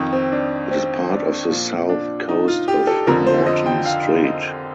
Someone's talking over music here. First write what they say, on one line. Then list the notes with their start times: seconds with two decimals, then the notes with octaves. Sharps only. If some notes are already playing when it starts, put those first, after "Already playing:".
It is part of the south coast of Morton Strait.
Already playing: F2 D#3
0.12 C4
0.32 D4
0.71 C4
1.11 D4
1.50 A#2 F3
1.89 D4
2.28 D#4
2.48 F4
2.68 G4
2.87 A4
3.07 F2 D3 F3 A#4
3.26 C5
3.46 D#5
3.66 G5
3.86 F5
4.25 D#5